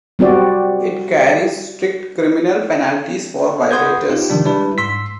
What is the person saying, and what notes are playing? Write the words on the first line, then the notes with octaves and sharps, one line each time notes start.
It carries strict criminal penalties for violators.
G3 C4 F#4 D5
B4 F#5 C6 D#6 G6 G#6
C4 D#4 F4 G4
C3 D#3 F3 G3 D4
G3 G#3 D4 E4 B4
G#2 C6 E6 B6